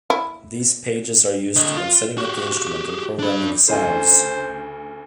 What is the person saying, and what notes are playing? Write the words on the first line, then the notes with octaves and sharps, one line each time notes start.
These pages are used when setting up the instrument and programming sounds.
E4
D3 D#5
F4
F#4 G4
D4 B5
D2 C#3 A4 C5 G#5